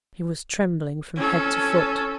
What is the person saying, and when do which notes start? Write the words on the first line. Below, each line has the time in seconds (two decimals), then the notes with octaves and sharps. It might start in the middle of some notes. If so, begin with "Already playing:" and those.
He was trembling from head to foot.
1.16 C#4 A4